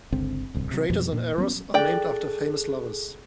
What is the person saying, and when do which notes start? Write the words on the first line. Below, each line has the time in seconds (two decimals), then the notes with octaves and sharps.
Craters on Eros are named after famous lovers.
0.13 G1 C#2 D3 C4
0.54 D1 C2
0.71 C3 F#3
0.90 F2 B2 F3 G3
1.12 A#2
1.38 F#3 B3 C#4
1.74 G#4 A4 D5 G5 F#6